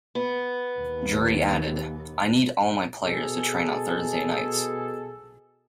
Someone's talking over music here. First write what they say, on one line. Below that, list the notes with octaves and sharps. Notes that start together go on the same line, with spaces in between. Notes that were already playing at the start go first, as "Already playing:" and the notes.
Drury added "I need all my players to train on thursday nights".
B3
D#2
B2 G#4 A4